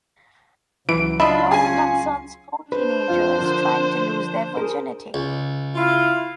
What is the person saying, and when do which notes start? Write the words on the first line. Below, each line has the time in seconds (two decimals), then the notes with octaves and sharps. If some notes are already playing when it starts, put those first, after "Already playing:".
The plot concerns four teenagers trying to lose their virginity.
0.89 C#2 E3 F#3 D7
1.20 D4 F4 D#5 E5 B5
1.51 C#4 F4 G#4 G#5
2.72 D4 B4 C5
3.08 F2 F4 F5
3.38 D3 F3 A#3
4.57 G#4 A#4
5.14 C#2
5.75 E4 F4